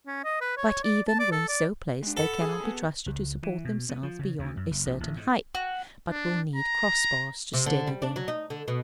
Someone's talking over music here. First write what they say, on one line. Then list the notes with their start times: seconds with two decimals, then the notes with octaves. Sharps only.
But even when so placed, they cannot be trusted to support themselves beyond a certain height, but will need cross bars to steady them.
0.07 C#4
0.24 D#5
0.41 B4
0.57 C#5
0.83 D5
1.08 A5
1.19 D5
1.32 A4
1.48 D5
2.03 G#3 D4
2.17 A4 F#5 B5
2.42 G#4
2.60 C3 B3
3.06 C#2
3.43 E3
3.65 B2
3.89 B3
4.03 F3
4.19 C#3
4.39 D2
4.57 F#2
4.71 F#1
4.86 A#1
5.00 A1
5.16 G#2
5.55 F#4
6.09 D4
6.56 A#5
7.53 C3
7.66 D3
7.87 G3
8.02 D4
8.16 F#3
8.28 D#4
8.50 D3
8.68 B2